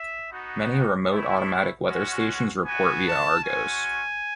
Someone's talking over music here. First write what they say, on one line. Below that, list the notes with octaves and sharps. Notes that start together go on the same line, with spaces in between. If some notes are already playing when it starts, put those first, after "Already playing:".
Many remote automatic weather stations report via Argos.
Already playing: E5
B3 D#4 F#4
A3 E4
G#3 C#4 F#4
B3 F#4 G#5
A5
G#3 C#4 F#4 G#5